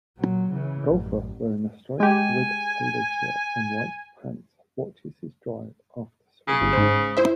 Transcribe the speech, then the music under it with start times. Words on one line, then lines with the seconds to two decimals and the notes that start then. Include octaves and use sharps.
A golfer wearing a striped red polo shirt and white pants watches his drive after swinging.
0.18 A#2 F#3
0.51 C#3 E3
0.91 A1 F#2
2.00 G#3 G4 G#5
6.47 C#3
6.61 G1
6.73 G#2 C5
7.17 E4 C5 E5